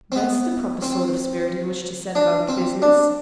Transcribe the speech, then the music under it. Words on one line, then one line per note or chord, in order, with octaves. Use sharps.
"That's the proper sort of spirit in which to set about the business."
C4
B3
C4
D4
C4
D4